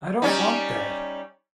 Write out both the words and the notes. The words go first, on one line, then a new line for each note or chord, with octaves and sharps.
I don't want that.
G3 C#4 D#4